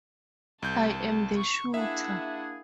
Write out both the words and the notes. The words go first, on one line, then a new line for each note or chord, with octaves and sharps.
I am the shooter.
C2 A5 G6
C#6
A#3 D4 E4 G#4 E5 F#5